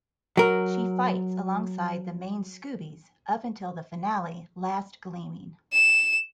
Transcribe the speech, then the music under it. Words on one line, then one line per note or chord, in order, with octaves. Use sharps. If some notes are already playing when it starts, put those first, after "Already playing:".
She fights alongside the main Scoobies up until the finale Last Gleaming.
F#3 A#4
E7